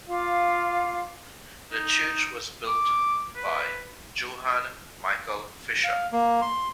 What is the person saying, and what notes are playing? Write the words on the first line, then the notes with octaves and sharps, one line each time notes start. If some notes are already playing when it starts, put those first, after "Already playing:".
The church was built by Johann Michael Fischer.
F4 F5 D6
D#4
D6
B4
F5
A#3
C6